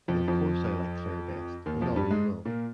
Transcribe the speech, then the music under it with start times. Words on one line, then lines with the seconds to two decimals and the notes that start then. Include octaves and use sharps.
But of course I like Claire best and always will.
0.08 F2 F3
0.28 F2 F3
1.66 D#2 D#3
1.81 F2 F3
1.96 G2 G3
2.11 G#2 G#3
2.45 A#2 A#3